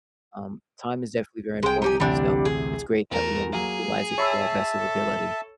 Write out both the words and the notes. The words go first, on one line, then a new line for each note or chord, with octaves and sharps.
um, time is definitely very important, so it's great that we you know, we utilize it to our best of ability.
C2 G#3 G5
D#4 G4 G#5
A1 D2 C3 G3 D4
G#4
E2 A3 A#4
F#3 A#3 G#4
C#5 E5 A5 B5 E6
A4